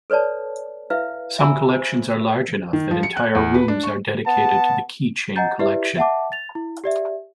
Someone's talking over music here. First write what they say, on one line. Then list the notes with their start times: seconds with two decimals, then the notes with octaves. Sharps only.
Some collections are large enough that entire rooms are dedicated to the keychain collection.
0.10 A4 B4 C#5 D5 A5
0.90 E4 B4 E5 F5
1.38 E5 G#5 A#5 B5 E6
1.69 C5
2.10 A#4
2.73 D#3
2.91 F3
3.03 C#7
3.17 F#6
3.35 E2
3.54 B4
3.68 D4
3.83 C#6
4.27 B3 A5
5.35 D#5 F#5 G#5 A#5 G6 A6
5.59 E4 G4 B4 D5 E5
5.97 E5 F#5 A5 D6
6.32 A6 F7
6.55 E4
6.84 G4 D5 E5